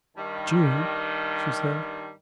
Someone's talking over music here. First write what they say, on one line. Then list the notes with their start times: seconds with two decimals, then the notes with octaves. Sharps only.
"Jude," she said.
0.17 G2 D#3 G3